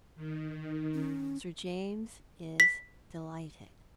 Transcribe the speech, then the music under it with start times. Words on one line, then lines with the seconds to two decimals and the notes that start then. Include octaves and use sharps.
Sir James is delighted.
0.16 D#3
0.94 C#4
2.60 B6